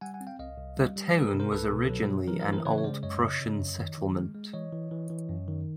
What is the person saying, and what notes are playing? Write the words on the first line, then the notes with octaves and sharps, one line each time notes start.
The town was originally an Old Prussian settlement.
G3 F#5 G#5
F#5 G#5
C4
F5 G5
C2 D#5 F5
C2
G3
G3
C5
G3 B4
A#4
C3
A#4 C5
C2 A4 B4
B2
F#3
F#3
E3 A#4
A#4
E3
A#4 C5
C#3 B4 C#5
C#5
G#3 C5 D5
F#2 C#5 D#5
C#3
C#3
F#2
D#3
D#3
G#3
G#3
E3 C#5 D#5
E3
E3
E3
F#2
D#3